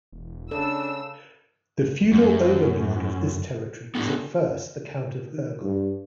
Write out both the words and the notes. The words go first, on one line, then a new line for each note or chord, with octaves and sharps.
The feudal overlord of this territory was at first the Count of Urgell.
E1
C#3 D4 A4 E6
F#2
B3 D4 F#4 G4 A4
D#3
G2